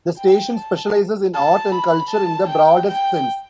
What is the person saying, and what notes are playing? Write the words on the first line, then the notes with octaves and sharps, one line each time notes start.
The station specializes in art and culture in the broadest sense.
G5
A5
A5
B5
A5
G5
G5